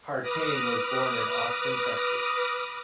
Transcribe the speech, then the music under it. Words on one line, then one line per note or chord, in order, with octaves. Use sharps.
Partain was born in Austin, Texas.
B4 D6 D#6 F6 A#6